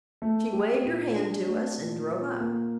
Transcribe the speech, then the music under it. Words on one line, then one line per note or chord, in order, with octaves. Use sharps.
She waved her hand to us and drove up.
A3
G4
A#2
D4
A3
A#2
A#2
A#3